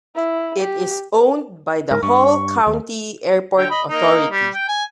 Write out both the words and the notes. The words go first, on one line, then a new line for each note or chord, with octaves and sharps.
It is owned by the Hall County Airport Authority.
E4
G4
G#2 A#4
G2 C#6
D#2
D3 C#5 G5
D#5 B5
A#3 D#4 D#5
G3
G5
G#5